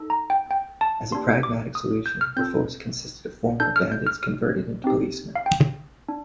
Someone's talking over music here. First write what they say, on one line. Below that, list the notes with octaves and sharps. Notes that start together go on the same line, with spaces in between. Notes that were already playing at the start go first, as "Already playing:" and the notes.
As a pragmatic solution, the force consisted of former bandits converted into policemen.
Already playing: D#4 A4
A#5
G5
G5
A5
A#3 D4 G4 C6
D6
D#6
G6
F6
C4 F4 A4 G6
D4 A4 G6
F6
G6
F6
F6
C4 D#4 G4
F5
G5
D4